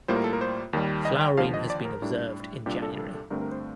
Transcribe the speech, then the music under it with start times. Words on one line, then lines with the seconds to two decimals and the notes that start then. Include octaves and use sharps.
Flowering has been observed in January.
0.08 A2 G3 A#3 F4 C5
0.16 A#4
0.24 A4
0.33 A#4
0.41 C5
0.73 D#2 D#3 G3
1.05 D#5
1.21 G5
1.37 D#2 D3 F3 F5
1.54 D#5
1.70 D5
1.85 A#4
2.02 A2 G3 D4
2.66 C2 A#2 G3 D4 G4
2.82 A4
2.98 A4
3.14 A4
3.30 G2 D3 A3 C4 A#4
3.41 A#4
3.52 C5